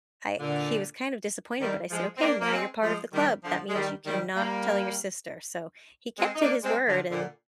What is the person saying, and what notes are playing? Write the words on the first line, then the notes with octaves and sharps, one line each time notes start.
I he was, kind of disappointed, but I said, "Okay, now you're part of the club. That means you cannot tell your sister," so he kept to his word, and,
A#2 D3
D#3 G3
F3 G#3
C4
A#3 D4
A#3
G#3 C4
F3 G#3
D#3 G3
D3 F3
G#3
D#3 G3
D#3 G3
G3 A#3
G#3 C4
D#4
A#3 D4
G#3 C4
D3 F3
A#2 D3